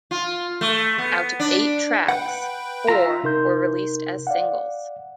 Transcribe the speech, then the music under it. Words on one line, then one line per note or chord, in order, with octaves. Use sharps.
Out of eight tracks, four were released as singles.
F4
A3
B3
D4
B4 F#5 G5
F4 E5 A#5
C3 D#4 A#4 C6 G6
D5 F5 F#5